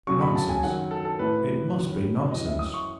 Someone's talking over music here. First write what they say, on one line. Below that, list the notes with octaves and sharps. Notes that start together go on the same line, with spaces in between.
Nonsense; it must be nonsense!
F#2 C#3 F#3 C#6
B5
A5
G#5
F#2 D#3 F#3 F#5
A4
A4
A2 E3 B4
F#2 D#3 F#3
F#2 E3 D#5
E5
D#6
C#6